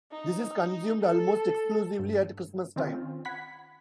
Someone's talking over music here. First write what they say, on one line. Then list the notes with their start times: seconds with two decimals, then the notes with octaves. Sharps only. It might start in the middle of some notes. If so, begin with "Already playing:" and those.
This is consumed almost exclusively at Christmas time.
0.11 D#4
1.01 A4
1.99 G2
2.76 D#3 C4 C#4 F4
3.25 F#5 B5 G#6 B6